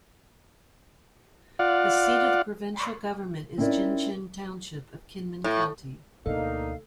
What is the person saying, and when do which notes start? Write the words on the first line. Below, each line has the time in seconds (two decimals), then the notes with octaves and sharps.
The seat of the provincial government is Jincheng Township of Kinmen County.
1.59 F4 D5 F5 F#5
3.58 C4 C#4 D#4 E4 A#4 D5
5.44 A2
6.26 D2 B2 A#3 D4 D#4 A4 F5